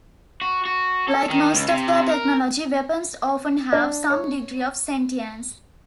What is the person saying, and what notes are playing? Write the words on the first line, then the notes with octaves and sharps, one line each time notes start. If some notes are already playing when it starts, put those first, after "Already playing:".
Like most of their technology, weapons often have some degree of sentience.
F#4
F#4
A4
D#3
C#2
C3
A#4
D4
C#5